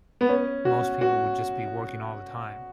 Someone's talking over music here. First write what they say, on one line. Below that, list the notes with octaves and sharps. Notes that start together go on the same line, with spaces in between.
most people would just be working all the time.
B3
C#4
F#4
F#4